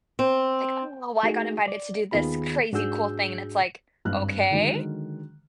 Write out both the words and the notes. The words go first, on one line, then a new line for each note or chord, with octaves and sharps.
Like, "Oh, I got invited to do this crazy cool thing," and it's, like, "Okay,
C4
A3 D#4 F#4 G#4
D5
D#2 D#3 B3 F4 G#4 B5
G#2 D4 F#4 G#4 E6 G6
G#1 G2 F6 F#6
D3 D#3 F#3 G#3